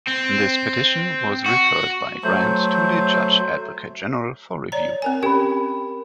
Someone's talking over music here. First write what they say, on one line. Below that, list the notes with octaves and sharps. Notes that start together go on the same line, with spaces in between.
This petition, was referred by Grant to the Judge Advocate General for review.
C4
F#4
F#3 A3 C5
C#5 D5 A#5
C4 A#4 G#5
C#4 G4 A#4 G5 B5